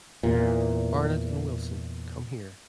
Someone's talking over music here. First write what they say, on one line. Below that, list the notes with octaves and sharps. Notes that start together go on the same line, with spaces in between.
Barrett and Wilson, come here.
E2 A#2